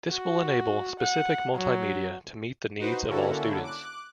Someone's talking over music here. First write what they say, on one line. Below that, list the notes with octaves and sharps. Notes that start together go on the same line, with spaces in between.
This will enable specific multimedia to meet the needs of all students.
F#4
F#5
F#3
D#4 F#4 B4 C5
D3 A#3 C#4 E4 F#4 A4
D6 F#6